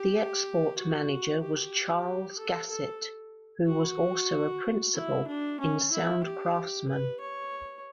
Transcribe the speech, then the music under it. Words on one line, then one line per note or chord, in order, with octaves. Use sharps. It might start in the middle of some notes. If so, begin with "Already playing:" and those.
The export manager was Charles Gassett, who was also a principal in Soundcraftsmen.
Already playing: G4
F#4
G4
A4
A4
F#4
E4
D4
C#4
E4
G4
B4
C#5